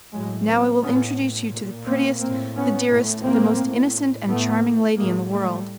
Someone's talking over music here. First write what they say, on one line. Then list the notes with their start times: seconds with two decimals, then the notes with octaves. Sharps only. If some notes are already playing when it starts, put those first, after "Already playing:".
Now I will introduce you to the prettiest, the dearest, the most innocent and charming lady in the world.
0.13 A2 F#3 G#3
0.48 A#3 C4
0.82 A2 B3 C#4
1.52 A#2
1.86 A#3 C4
2.21 A2 A#3 C4
2.55 B3 C#4
2.89 A2
3.24 A#3 C4
3.59 A2
4.28 A2 A3 B3
4.97 A2 G#3 A#3
5.32 G3 A3